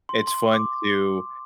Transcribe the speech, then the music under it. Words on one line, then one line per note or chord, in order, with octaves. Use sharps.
it's fun to,
C6
C6
D6